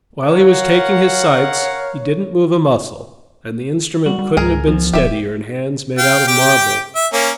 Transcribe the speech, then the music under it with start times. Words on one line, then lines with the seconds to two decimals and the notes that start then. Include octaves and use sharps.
While he was taking his sights, he didn't move a muscle, and the instrument couldn't have been steadier in hands made out of marble.
0.24 A#4 C#5 F5 F#5
4.06 G3 F#4
4.19 G3
4.37 C#2 G#2 G#4 A#4
4.67 E2 F3
4.94 D#1 G4 E5
5.98 F5 G5
6.27 G4 G5
6.95 E5
7.13 A#3 C#4